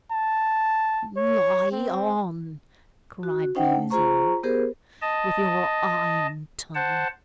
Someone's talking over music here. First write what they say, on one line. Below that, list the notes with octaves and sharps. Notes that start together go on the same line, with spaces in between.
'Lie on!' cried the usurer, 'with your iron tongue!
A5
C#5
C4
F#4
C#4 D#4 C5 D#5 F#5 G5
A3
F4 G#4 C5 A#5 C#6
B3 G4 G#4 A#4 C5
D#5 A5
C5 F#5 A5